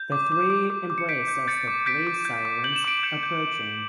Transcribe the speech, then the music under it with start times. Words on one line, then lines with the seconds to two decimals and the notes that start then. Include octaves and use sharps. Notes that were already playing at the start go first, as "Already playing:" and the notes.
The three embrace as the police sirens approaching.
Already playing: G6
0.12 D6
0.32 D6
0.50 D6
0.70 D6
0.90 D6
0.98 C#7
1.09 G6 B6 D7
1.28 G6
1.47 G6 A6 C#7
1.67 D6
1.86 G6 B6 D7
2.07 D6
2.25 G6
2.45 D6
2.64 G6 F#7
2.76 E7
2.84 D6 D7 F#7
3.03 G6 C#7 E7
3.23 G6